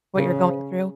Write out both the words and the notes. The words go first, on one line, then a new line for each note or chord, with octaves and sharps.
what you're going through.
C#3